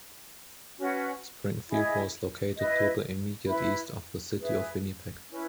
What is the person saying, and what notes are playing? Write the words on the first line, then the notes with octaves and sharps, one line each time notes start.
Springfield was located to the immediate east of the City of Winnipeg.
C#4 F#4 B4
E4 G#4 D#5
E4 B4 D#5
E4 B4 E5 B5
G#4 B4 E5
C#4 E4 B4